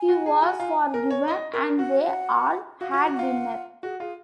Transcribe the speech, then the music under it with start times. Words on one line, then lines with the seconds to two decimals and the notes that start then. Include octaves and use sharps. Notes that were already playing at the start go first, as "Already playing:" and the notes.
He was forgiven, and they all had dinner.
Already playing: G#5
0.08 F#4
0.26 G#4
0.43 F#4
0.60 F4
0.94 A#4
1.10 C#5
1.28 D#5
1.53 A#4
1.79 F#4 F#5
2.04 F#5
2.81 F#4 F5
2.92 F#4 F5
2.98 F#5
3.06 F#4
3.14 F4 F#5
3.83 F#4 G#4
4.00 F4 G#4